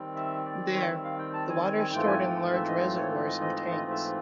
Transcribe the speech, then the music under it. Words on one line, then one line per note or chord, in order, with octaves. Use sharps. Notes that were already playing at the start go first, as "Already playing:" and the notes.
There, the water stored in large reservoirs and tanks.
Already playing: D#3 G3 C4
E5
D5
C#5
E5
F5
G5
A5
G#5
G#5
G#5
G#2 E3 A3 C4 F4 G5
G#5
G5
E5
D#5
C5
C#5
D#5
D#5
D#5
D#5
E5